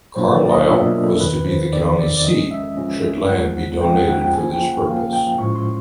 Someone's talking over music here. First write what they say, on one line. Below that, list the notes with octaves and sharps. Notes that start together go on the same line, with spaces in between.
Carlyle was to be the county seat should land be donated for this purpose.
B2 F#3 A#3 D4 F4 C5
D5
D5
D#5
B2 F#3 A#3 D4 F4 E5
A#4
A4
E2 C3 D#3 B4
C5
E2 C3 D#3 D5
D5
D5
C#3 F3 G#3 C#4 D#5
E5
C#3 F3 G#3 C#4
E2 C#3 F3 G#3 F#5
E2 C#3 F3 G#3 G5
F#5
F#5
G5
C#3 F3 A#3 G#5
G5
F#5
C#3 F3 A#3 F5
G5
A2 F3 G#3 C#4 E4 C#6
C6